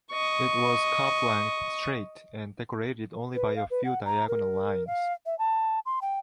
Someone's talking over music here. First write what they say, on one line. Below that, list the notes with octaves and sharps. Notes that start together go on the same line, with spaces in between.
It was calf-length, straight and decorated only by a few diagonal lines.
D#5 C#6
B4
F5
B4
F#5
A#5
A#4
F5
E5
A5
C6
G5